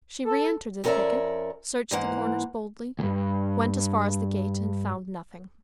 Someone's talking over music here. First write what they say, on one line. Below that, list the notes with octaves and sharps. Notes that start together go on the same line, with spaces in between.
She re-entered the thicket, searched the corners boldly, went as far as the gate, and found nothing.
A4
F2 C#4 A#4 C#5 D5 E5
G#2 E3 A#3 F#5
D2 G2